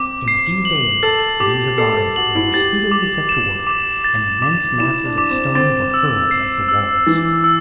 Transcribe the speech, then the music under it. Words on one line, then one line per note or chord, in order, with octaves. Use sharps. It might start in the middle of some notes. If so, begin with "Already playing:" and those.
In a few days these arrived and were speedily set to work, and immense masses of stone were hurled at the walls.
Already playing: C4 D6
C7
F#7
A4 A6
G4 D6
A4 C7
A4
F#4 F#7
E4
G4 A6
D6
E7
D6
A6
D6
E4 E7
D4
D6
C4
C4 A6
E6
C7
E6
E3 A6
E6